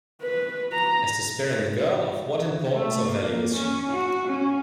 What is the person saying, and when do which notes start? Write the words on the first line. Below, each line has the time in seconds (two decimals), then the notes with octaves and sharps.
As to sparing the girl, of what importance or value is she?
0.22 B4
0.72 A#5
2.75 A3
3.08 A#3
3.55 C#4
3.92 F#4
4.28 C#4